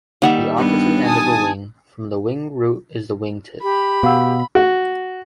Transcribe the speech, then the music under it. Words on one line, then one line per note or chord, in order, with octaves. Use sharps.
The opposite end of a wing from the wing root is the wing tip.
D#3 G3 A#3 E5 F#5
G2 B3
G#5 A5 D#6
G4 B5
B2 F5 F#5 E6
F#4